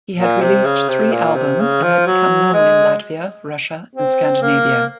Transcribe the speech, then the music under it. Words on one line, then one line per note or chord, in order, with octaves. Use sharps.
He had released three albums and had become known in Latvia, Russia and Scandinavia.
A#2
C3
C#3
C3
A#2
C3
C#3
F3
F#3
G#3
C4
A#3